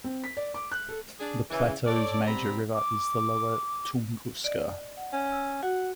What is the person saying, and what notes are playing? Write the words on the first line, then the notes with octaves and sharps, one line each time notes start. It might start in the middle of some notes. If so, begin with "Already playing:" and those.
The plateau's major river is the Lower Tunguska.
C4
B6
D5
D6
F#6
A4
D4 G#4
C#3 E3
A4 C#5 D5
C3 G3 B3 C4 A#5 B5
D6
D5 D#5
F#5
C#4
E6
F#4 F#5